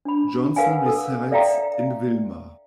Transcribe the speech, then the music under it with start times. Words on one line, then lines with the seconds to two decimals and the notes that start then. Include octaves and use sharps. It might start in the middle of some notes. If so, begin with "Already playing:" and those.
Johnson resides in Willmar.
0.05 D4 B5
0.56 A#4 B4 F5 F#5 G#5
0.86 A4 E6
1.31 A4 D5 E5 F5 G5 A#5